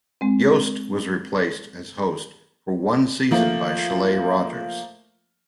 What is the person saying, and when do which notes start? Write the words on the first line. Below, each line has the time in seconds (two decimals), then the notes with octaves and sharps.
Yost was replaced as host for one season by Shelagh Rogers.
0.21 G#3 C4
3.31 F3 A3 A#3